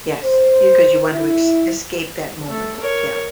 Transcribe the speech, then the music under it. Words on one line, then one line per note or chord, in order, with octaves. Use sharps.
Yes. You 'cause you want to es escape that moment. Yeah.
C5
E4
A3
A#4 C#5